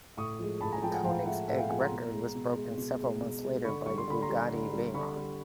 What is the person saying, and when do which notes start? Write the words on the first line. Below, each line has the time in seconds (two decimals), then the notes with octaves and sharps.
The Koenigsegg record was broken several months later by the Bugatti Veyron.
0.17 A2 C#6 D#6
0.39 F3 G#3
0.61 A2 A5 B5
0.72 G#5 A#5
0.82 F3 G#3 G5 A5
0.94 F#5 G#5
1.04 A2 F5 G5
1.26 F3 G#3 E5 F#5
1.48 A2 E5 F#5
1.58 F5 G5
1.69 F3 G#3 F#5 G#5
1.80 A#5 C6
1.91 B2
2.13 G#3
2.35 B2
2.56 G#3
2.78 B2
2.99 G#3
3.21 B2
3.43 G#3
3.64 D3 B5 C#6
3.86 G3 C#6
3.98 C6
4.08 D3 B5
4.22 A#5 C6
4.29 G3
4.51 D3
4.73 G3
4.94 D3 B5 C#6
5.16 G3